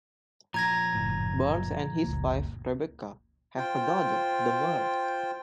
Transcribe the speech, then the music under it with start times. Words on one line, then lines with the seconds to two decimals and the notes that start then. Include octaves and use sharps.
Barnes and his wife, Rebecca, have a daughter, Damara.
0.54 A#2 F3 A#5 G#6 A#6
0.94 F#1 A2
2.04 F#1 C#2 A#3
3.57 F4 C5 G5